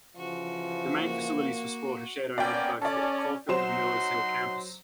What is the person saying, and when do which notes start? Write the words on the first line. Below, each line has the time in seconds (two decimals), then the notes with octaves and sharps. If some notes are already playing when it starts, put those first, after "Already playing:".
The main facilities for sport are shared over both Caulfield and Wheelers Hill campus.
0.17 C#3 E3 F3 F#4
0.97 A#3
2.38 A#3 B3 C#4 D5 G5
2.82 C#4 A4 D5
3.49 F#3 D#4 C5 F#5 C6 E7